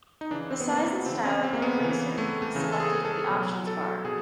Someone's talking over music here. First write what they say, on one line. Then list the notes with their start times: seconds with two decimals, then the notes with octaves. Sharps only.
The size and style of the eraser can be selected in the options bar.
0.21 D#4
0.31 C#3 E3 D4
0.51 C4
0.60 B3
0.69 A#3
0.87 B3
1.05 C#3 C4
1.10 E3
1.25 C#4
1.43 C4
1.53 A#3
1.62 B3
1.80 C#3 E3
2.18 A3
2.42 A3
2.55 C#3 E3
2.72 A4
2.80 G#4
3.05 A4
3.30 B2 F#3
3.67 A4
4.04 B2 F#3 G#4